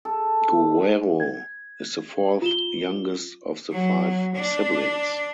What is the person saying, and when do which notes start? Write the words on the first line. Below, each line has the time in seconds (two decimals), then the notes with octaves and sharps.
Guerrero is the fourth youngest of the five siblings.
0.05 A4
1.20 G#6
2.42 F4 E7 G7
3.70 F#3
4.34 D4